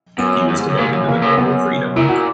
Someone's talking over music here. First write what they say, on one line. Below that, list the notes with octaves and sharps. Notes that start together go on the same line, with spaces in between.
He was devoted to the goal of freedom.
F#2 B3
F#2
G#2
F#2
G#2 A#3
F#2
E2 A#3
F#2
F#2 B3
A#2 E4
F#4